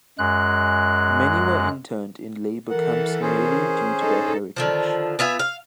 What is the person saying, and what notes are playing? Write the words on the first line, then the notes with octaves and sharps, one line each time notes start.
Many were interned in labor camps merely due to their heritage.
F#2 G#3 F#6
E3 A4 A#4 F#5
C#4 G#4 C5
D#4 A4
D3 D#3 F3
B3 F4 E5 G#5
F5